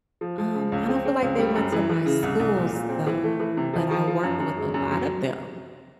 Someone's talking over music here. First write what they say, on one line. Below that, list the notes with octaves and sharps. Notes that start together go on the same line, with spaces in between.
Um, I don't feel like they went to my schools, though, but I worked with a lot of them.
F3
F3
C#3
C#2
C4
C4
C#2
G3
F#2
E3
E3
C#3
C2
C2
A#2
A#2
C4
E3
A3
E3
C3
F3
F3
F3
F#2
F#2
G#3
F#2
F#3